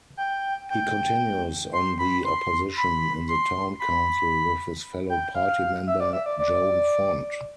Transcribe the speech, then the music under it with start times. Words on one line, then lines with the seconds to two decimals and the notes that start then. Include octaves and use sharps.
He continues on the opposition in the town council with his fellow party member, Joan Font.
0.17 G5
0.69 G5
1.73 C6
1.99 B5
2.25 C6
2.76 B5
3.28 C6
3.80 B5
5.09 G5
5.35 F5
5.87 E5
6.00 D5
6.13 E5
6.26 D5
6.39 D5